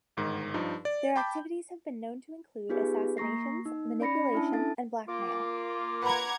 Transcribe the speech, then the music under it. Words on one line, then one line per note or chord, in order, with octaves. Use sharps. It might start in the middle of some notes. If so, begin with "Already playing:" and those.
Their activities have been known to include assassinations, manipulation and blackmail.
G1 G#2 D#3
G2 F3 D#4
D5
G5 A5 B5 D6 G6
B3 D#4 F4 G4 G#4 B4
A#3 A#5 C#6 A#6 C7
D#4
C#4 D5 B5 A#6 C#7
C#4 D4 E4 E5 A5
A4 A5 A6
A#3 F4 D6
B4 F#5 A#5 B5 G#6